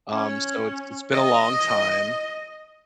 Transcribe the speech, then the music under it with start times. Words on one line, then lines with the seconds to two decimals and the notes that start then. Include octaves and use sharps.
um, so, it's it's been a long time,
0.12 C#4
1.13 D#5